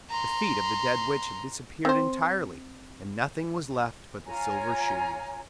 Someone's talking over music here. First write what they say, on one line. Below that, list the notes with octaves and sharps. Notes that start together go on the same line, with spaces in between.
The feet of the dead Witch had disappeared entirely, and nothing was left but the silver shoes.
A#5 C6
C4 C5
F4 C#5 G#5 A#5